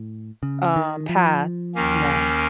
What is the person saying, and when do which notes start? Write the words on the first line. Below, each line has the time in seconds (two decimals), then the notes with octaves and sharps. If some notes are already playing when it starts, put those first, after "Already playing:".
uh, path. Yeah.
Already playing: A2
0.43 C#3
0.76 D#3
1.09 F3
1.75 D#2 D#3 A#3 C#4